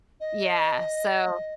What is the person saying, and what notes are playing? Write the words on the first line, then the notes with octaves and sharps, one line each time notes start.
Yeah, so
D#5